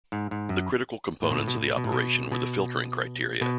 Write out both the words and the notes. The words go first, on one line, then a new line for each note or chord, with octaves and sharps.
The critical components of the operation were the filtering criteria.
G#2
G#2
F#2
A2
B2
A2
B2
A2
B2
A2
B2
B2
B2